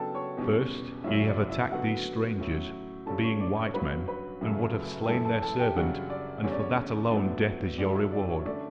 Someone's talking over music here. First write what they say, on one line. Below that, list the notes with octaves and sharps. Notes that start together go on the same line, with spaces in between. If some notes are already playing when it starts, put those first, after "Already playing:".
First, ye have attacked these strangers, being white men, and would have slain their servant, and for that alone death is your reward.
Already playing: C#3 F#3 B3 D4 A4 G5 A5
C#5 C#6
E2 B2 G3 C#4
F#2 C#3 F#3 C#4 E4 E5
D5
E4 E5
D3 F#3 B3 F#4 F#5
A2 F#3 C#4
G2 D3 G3 C#4 A4 A5
C#5 C#6
D5 D6
C#5 C#6
G2 F#3 C#4 B4 B5
B4 B5
F#2 C#3 F#3 A3
G5
F#2 E3 A3 A4 A5
A4 A5
A4 A5
G4 G5
F#2 C#3 G3 D4 F#4 F#5
D5
E2 D3 G3 C#4 C#5
D5
C#5
A2 F#3 B3 D4 D5
F#2 D3 F#3 A3 D5
E4 E5
D5
C#5
D3 A3 C#4 D5